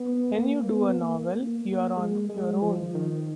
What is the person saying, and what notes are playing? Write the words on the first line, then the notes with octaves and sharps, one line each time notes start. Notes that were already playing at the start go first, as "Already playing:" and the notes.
When you do a novel you're on your own.
Already playing: B3
A#3
B3
A#3
A#3
A#3
G#3
G#3
F3
D#3